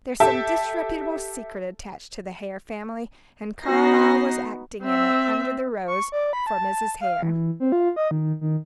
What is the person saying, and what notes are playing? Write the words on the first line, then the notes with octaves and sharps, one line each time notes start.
There's some disreputable secret attaching to the Hare family, and Carlyle was acting in it, under the rose, for Mrs. Hare.
G4 A4 E5 A5
B3 D#4 F#4 A#6 C7
C4 E5
C#6
D5
B5
A5
F5
E3
C4
F4
D#5
D#3
D#3